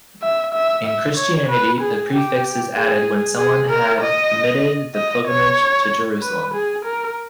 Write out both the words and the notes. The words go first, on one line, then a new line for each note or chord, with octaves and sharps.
In Christianity, the prefix is added when someone had committed the pilgrimage to Jerusalem.
E5
E5
E5
C#5
B4
G#4
G4
G#4
G#4
A#4
D#5
D#5
C#5
B4
G#4
A#4